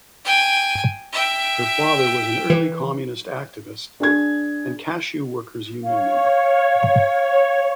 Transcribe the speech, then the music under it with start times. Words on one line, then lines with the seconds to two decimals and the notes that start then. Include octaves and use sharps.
Her father was an early communist activist and cashew workers union member.
0.25 G5 G#5
1.13 E5 G5
2.50 E3
4.00 D4 G#4 G#6
5.84 C#5 F5